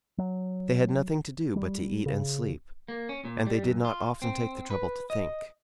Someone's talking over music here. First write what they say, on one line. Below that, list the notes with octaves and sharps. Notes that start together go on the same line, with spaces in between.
They had nothing to do but to eat and sleep, and they did not often take the trouble to think.
F#3
G3
C#3
A#3
C#4
A#2
G3
F#2
F4
C4
B4
D#5